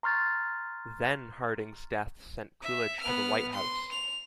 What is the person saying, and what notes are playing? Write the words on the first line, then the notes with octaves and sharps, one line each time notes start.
Then Harding's death sent Coolidge to the White House.
A#5 C6 C#6 F6 G6 A6
E5
B3 F6
C6
F7